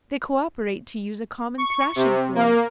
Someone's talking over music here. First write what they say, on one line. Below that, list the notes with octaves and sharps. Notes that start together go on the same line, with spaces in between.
They co-operate to use a common thrashing floor.
C#6
C3
A#3